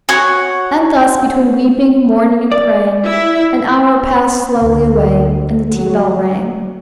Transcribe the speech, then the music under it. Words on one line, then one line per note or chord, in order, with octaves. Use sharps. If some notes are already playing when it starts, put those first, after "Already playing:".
And thus between weeping, mourning, and praying, an hour passed slowly away, and the tea-bell rang.
F#4 C#5 F#5 C#6
D5
E4 E5
D2
F#3